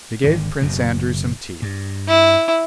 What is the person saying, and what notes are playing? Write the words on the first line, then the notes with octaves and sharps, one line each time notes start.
They gave Prince Andrew some tea.
G#1 D3
F#1 F#2 B2
G2
E4